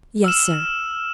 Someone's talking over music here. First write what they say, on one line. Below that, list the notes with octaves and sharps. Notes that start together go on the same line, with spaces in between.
"Yes, sir."
E6 F6 E7